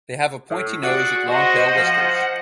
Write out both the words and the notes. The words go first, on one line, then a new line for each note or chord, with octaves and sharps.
They have a pointy nose with long pale whiskers.
A2
F#4 G#4 D5 F#5
F#4 C5 D#5 F#5
F3